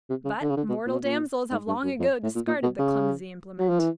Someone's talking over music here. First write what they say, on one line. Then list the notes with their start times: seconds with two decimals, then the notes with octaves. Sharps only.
But mortal damsels have long ago discarded the clumsy implement.
0.09 C3
0.25 C#3
0.41 D3
0.50 C#3
0.57 D3
0.69 B2
0.86 A#2
0.92 B2
1.04 A#2
1.51 G#2
1.67 G2
1.83 F#2
1.99 F2
2.23 A2
2.35 A#2
2.47 A#2
2.63 B2
2.79 C#3
3.59 F#3
3.69 F3
3.79 E3